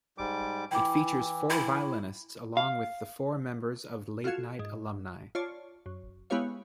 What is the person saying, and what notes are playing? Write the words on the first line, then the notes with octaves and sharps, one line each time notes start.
It features four violinists along with the four members of Late Night Alumni.
G#2 G3 D6
E3 E4 G5 D6
E4
F5
F4 F#4 A4 F5 G#6 E7
G#2
F4 C#5 D5 A5
F#2
G#3 B3 E4 G4 C#5 F5